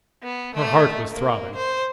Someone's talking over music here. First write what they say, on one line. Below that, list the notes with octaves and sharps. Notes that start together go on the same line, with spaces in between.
Her heart was throbbing.
B3
A3
A#3
C5